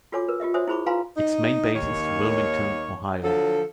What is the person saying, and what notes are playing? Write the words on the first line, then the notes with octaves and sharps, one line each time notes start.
Its main base is Wilmington, Ohio.
F4 F#4 A4 C#5 G#5 D6
A#4 B4
F4 G4 D#5 E5
F#4 C5 C#5 E5 G#5 D#6
E4 G#4 C5 B5 C#6 D6
F4 B4 F5 G#5 A#5 C6
D#4
D#2 D#3 A#3 C#5
D3 F3 F#3 A4